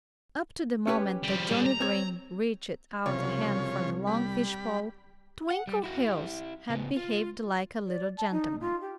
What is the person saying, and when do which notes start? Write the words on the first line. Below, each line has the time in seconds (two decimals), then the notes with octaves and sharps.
Up to the moment that Johnnie Green reached out a hand for the long fish pole Twinkleheels had behaved like a little gentleman.
0.87 C#4 G4 B4
1.24 F3 G3
1.51 G3 C#4 A4
1.66 A#5
1.80 C4 C#5
3.06 C2 C#3 F3 C#5
4.07 G3 B5
5.50 F#5
5.67 G3
5.84 E4 F#4
6.04 E4 G4
6.70 C#3 B3
6.97 F4
7.87 D5
8.17 A5
8.31 D#4
8.60 F4
8.80 G4